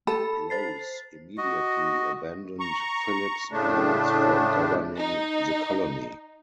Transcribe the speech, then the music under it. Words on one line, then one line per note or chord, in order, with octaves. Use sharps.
Grose immediately abandoned Phillip's plans for governing the colony.
A4 B5
C5 A6 C7
F#4 D#5
A#5 C#6
A2 C#3 A3 D4
D#4